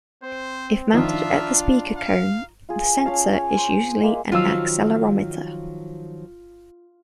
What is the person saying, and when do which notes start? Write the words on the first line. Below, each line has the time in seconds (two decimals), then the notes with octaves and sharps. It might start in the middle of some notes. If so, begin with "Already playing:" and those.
If mounted at the speaker cone, the sensor is usually an accelerometer.
0.23 C4 C5
0.93 D#3 F3 D4 F4 E5 F5
1.97 F5
2.69 F4 G#4
3.05 C#4 G#4 F5 A5
3.32 C#5
3.57 C5
3.80 D#6
4.02 G#3 A#3 E5
4.32 D#3 F3 F#3 F4 F5 E6